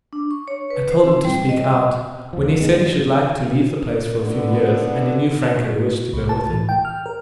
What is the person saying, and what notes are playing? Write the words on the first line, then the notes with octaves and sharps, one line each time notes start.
I told him to speak out, when he said he should like to leave the place for a few years, and he knew Frank had a wish to go with him.
D4
C#6
C#5
B4
C5
C4
G3
D#5
D#2 F3
C2 B3
D2 G#3 B3
G2
D3 B3
C2
A5
E3
G5
F6
A#4